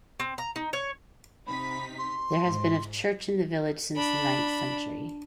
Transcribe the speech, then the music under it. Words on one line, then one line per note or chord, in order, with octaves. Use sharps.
There has been a church in the village since the ninth century.
C4
A#5
D#4
C#5
C3 D#4 B5 B6
C6
G#2
D4 B5